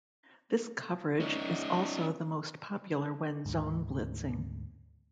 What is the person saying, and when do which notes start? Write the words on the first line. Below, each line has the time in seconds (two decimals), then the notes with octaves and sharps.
This coverage is also the most popular when zone blitzing.
1.20 C#4 D#4
3.46 D2 G#2